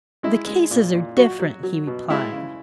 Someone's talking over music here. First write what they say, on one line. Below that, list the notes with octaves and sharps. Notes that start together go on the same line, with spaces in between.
'The cases are different,' he replied.
G#3 E4
G#3
A#2
A#2
F#3 F#4
F#3
F#3
B2
G#3 E4
C#3